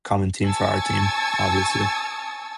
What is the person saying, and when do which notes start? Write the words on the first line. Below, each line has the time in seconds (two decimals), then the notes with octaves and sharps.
common team, for our team, obviously.
0.45 G#5 A5 C#6 E6 G#6 A6